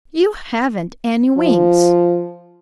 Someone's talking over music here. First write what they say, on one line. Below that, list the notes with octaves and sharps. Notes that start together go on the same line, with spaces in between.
"You haven't any wings."
F3